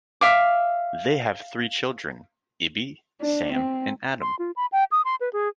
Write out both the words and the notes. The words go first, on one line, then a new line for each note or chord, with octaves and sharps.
They have three children, Ibby, Sam, and Adam.
E5 F5 D6
D4
C4
C6
F4
B5
G5
D#6
C6
B4
G#4